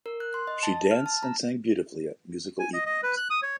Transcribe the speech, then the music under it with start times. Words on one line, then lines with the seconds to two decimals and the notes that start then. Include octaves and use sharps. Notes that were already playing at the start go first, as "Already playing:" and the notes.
She danced and sang beautifully at musical evenings.
0.06 A#4
0.20 F#6
0.34 C6
0.47 D#5
0.63 A5
0.91 F6
1.06 A5
1.23 A#5
2.59 G#5
2.74 D#5
2.86 D#5
3.03 B4
3.17 F#6
3.30 D#6
3.42 C#5